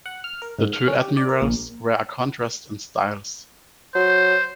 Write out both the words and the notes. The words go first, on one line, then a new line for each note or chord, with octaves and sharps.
The two admirals were a contrast in styles.
F#5
F6
A#4
G#2
F6
C#4
G4
D5
A#4
A#1
F#3 C5